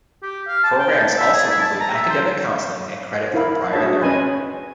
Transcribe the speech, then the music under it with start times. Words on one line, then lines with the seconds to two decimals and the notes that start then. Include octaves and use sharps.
Programs also include academic counseling and credit for prior learning.
0.22 G4
0.48 F5
0.64 A5
0.79 G5
0.99 A5
1.18 E5
1.33 G#4
1.49 E4
1.61 A5
1.81 A#5
1.94 E5
2.09 C5
2.53 F5
3.34 E4 A#4 F5 B5
3.72 D4 F#4 G#4 C#5 E5 A5
4.01 C#4 B4 D#5 G#5 B5 C6